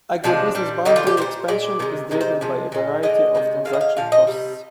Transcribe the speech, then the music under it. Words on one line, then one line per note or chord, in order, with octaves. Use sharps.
Agribusiness boundary expansion is driven by a variety of transaction costs.
C3 F3 G#3 D4
A#2 G3
D3 G3 D#4
F4
G4
A#2 G3 C5
A#2 G#3 D5
C3 D#3 G#3
C3 D#3 G#3
C5
C3 F3 G#3
A#2 G#3
D3 G#3 D#5
C3 D#3 G#3
D3 G#3 F5
D#5
F5
A#2 F3 F5
D#5
C3 D#3 G3